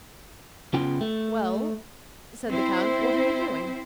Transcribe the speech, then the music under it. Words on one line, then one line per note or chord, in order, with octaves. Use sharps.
"Well," said the count, "what are you doing?"
C#3 B3 F4 G5
A3
C4 E4 C5